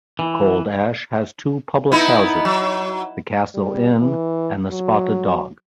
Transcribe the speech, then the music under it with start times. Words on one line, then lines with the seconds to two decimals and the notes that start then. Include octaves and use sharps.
Cold Ash has two public houses, the Castle Inn and the Spotted Dog.
0.19 E3
1.92 B3 D#4 E4
2.45 F#3
3.55 G3
4.01 E3
4.71 F#3